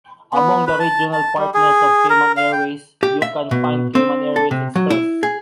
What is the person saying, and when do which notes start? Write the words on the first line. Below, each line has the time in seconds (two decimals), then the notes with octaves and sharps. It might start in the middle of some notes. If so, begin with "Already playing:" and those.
Among the regional partners of Cayman Airways, you can find Cayman Airways Express.
0.33 B3
0.67 B4
0.80 A5
1.13 A5
1.37 G3
1.54 G#4
2.10 A#4
2.37 F5
2.52 G5
3.03 G4
3.22 E5
3.51 B2
3.95 C4
4.36 A4
4.51 C3
4.76 F#3
4.90 E4
5.23 G#4